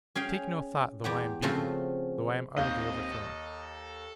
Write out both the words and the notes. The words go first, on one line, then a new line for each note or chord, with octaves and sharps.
Take no thought though I am beaten, though I am utterly overthrown.
C#4 G#4 F5 G5
E2 G4 F#5
C#3 F3 A3 C4 F4 F#4
D#2 C4 D#4 D#5 F5 G6
A4